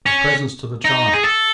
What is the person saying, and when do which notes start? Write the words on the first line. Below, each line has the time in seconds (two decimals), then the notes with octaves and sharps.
The presents to the child!
0.06 C#4
0.85 D#4
1.13 G#4
1.24 A4